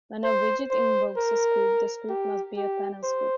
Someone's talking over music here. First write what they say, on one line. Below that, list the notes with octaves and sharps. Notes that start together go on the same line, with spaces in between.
When a widget invokes a script, the script must be a panel script.
C5
C5
A#4
G4
G4
C5